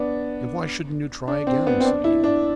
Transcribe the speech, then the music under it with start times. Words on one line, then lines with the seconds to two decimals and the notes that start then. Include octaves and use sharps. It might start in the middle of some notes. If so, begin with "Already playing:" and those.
"And why shouldn't you try again?" said Eames.
Already playing: B3 D4
1.28 D4
1.47 C4
1.67 B3
1.80 C4
1.85 D4
2.04 E4
2.24 D4